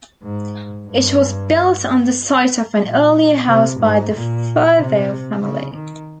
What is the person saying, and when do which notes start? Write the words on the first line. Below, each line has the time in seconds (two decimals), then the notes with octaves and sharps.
It was built on the site of an earlier house by the Furtho family.
0.23 G#2
0.88 G2
2.83 A#2
3.47 C3
3.79 G#2
4.12 A#2
4.76 C3
5.42 C#3
5.74 D#3